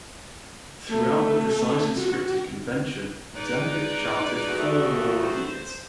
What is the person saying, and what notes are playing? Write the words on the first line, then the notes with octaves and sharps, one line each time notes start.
Throughout the precisely scripted convention, delegates chanted Four more years!
A3
F#4
G#3 D#4 B4 D5
E2 C3 A3 F#4
C5